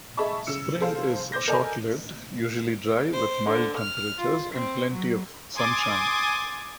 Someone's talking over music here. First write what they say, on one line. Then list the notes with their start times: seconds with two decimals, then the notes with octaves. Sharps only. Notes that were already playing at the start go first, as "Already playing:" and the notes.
Spring is short lived, usually dry with mild temperatures and plenty of sunshine.
0.17 G#4 D#5 E5 A5 B5 C#6
0.47 C#3 E6 C#7
0.81 G#4 A4 C5 F5
1.32 C5 D6 G6 A#6
1.47 A4 A#4 D5 D#5 G#5
3.12 C5
3.47 D3
3.78 F6
4.19 F4
4.54 C4
4.93 F#3
5.56 G#5 C6 D6 D#6 G#6 A6